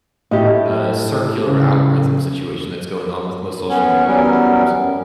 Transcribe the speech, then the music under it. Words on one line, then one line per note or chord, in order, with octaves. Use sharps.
uh, circular algorithm situation that's going on with most social media platforms.
A2 G4 D#5
C#3
B3 C#4 C#5
E2 F#3 G3 B3 C#4 A#4
F#2